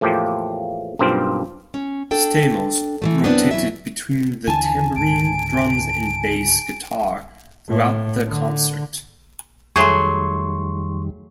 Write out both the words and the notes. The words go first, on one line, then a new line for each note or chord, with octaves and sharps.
Stamos rotated between the tambourine, drums, and bass guitar throughout the concert.
E2 A2 F3 A#3 G4
B1 G2 A#3 C4 F4 C5
C#4
D4 A4 G5
E3 F#3 A3
F#2 B3 C4 D4
E2 F3 F#3 E4 E5
D#2 D3 E3 G#5 A5
C#2 G#2 D3 D7
A2
D3
F2 D#3 F#3 G3 A3 G#4 C6 C#6